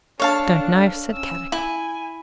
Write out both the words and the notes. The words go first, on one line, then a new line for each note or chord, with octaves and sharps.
"Don't know," said Kadok.
D4 A4 C#5 F5 A5
C#4 E6
E4 G#5